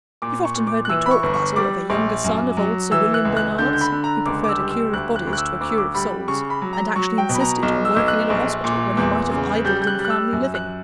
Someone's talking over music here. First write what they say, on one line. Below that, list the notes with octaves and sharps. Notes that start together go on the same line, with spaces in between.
You've often heard me talk, Basil, of a younger son of old Sir William Bernard's, who preferred a cure of bodies to a cure of souls; and actually insisted on working in a hospital when he might have idled in a family living.
A#2 D6
C#6
A#2
D6
F#6
E3 E6
B5
C#6
G1
C#6
G3 D6
A#1
F#2
F#3
E3 E6
F#6
C#2
F#6
D3 G6
G6
B5
D3
A#5
C#2 D6
D6
E6
G3
E6
D2 F#6
F#6
D2
F#6
E6
D2 D6
E6
D6
G3 B5
C#3 C#6
B5
F#3
A#5
F#3 C#6
G5
B2
B5
A#5
B1
E6
B1
F#6
A#1
A#2
E2
C#3
G3 G6
G6
F#6
G3
F#6
E6
F#2
F#6